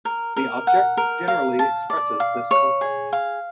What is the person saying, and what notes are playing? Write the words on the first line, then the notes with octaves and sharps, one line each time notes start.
The object generally expresses this concept.
A#4
A#4
F#5
A#4
F5
A5
D5
F5
C#5
G#4
F5